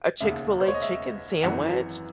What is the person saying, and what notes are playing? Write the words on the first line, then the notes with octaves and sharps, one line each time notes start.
a Chick-fil-A chicken sandwich.
E1 D#2 C#3 E5
C5
C#5
D#5
E5
G#1 F#2 E3 F#5